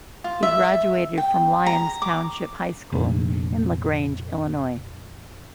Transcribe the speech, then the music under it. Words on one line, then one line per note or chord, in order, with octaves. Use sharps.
He graduated from Lyons Township High School in LaGrange, Illinois.
F4
E5
G5
A#5
D6
F1 A#1